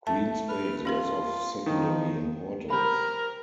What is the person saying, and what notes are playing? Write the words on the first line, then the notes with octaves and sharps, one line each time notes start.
Green space was of secondary importance.
A3 A5
B4 F6
C#4 F4 G4 A#4
D#3 F3 D#4
G4 A#4 C5 B5